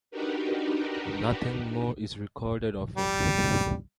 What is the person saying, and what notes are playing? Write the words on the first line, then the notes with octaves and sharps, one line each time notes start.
Nothing more is recorded of him.
D4 D#4 F#4 G4 A#4 B4
G3